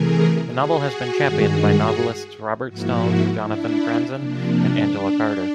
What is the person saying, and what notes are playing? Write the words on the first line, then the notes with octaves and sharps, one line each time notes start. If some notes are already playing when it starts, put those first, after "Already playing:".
The novel has been championed by novelists Robert Stone, Jonathan Franzen and Angela Carter.
Already playing: C3 E3 A3 G#4 A#4
F#4 G#4
G2 D#3 G#3
G#2 F3 A#3 E4 F#4
D4 E4
C3 F3 A#3 D4